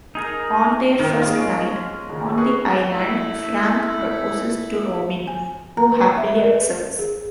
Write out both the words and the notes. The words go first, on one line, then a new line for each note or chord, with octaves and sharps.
On their first night on the island, Frank proposes to Robin, who happily accepts.
D#4 G#4 A#4
D#3 A#4
A#3 F4 G#4
G#3 C#4 D7
D#1 C#3
G#4 B4 C#6
A3 E4
G#5
A#5
B4
E5
A#4
B4
G#4